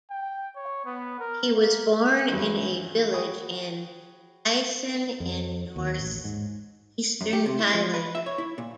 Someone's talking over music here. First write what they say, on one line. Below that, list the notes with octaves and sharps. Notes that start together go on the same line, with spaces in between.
He was born in a village in Isan in northeastern Thailand.
G5
C#5
B3
A#4
A#3
E2 G2 F#3 G3
F#4 G#4 C#5 G5 B5 D#6
F2
D#2
A1
G#2
F#2
G4
C3
E4
F3
B4
E5
C#5
E4
A#2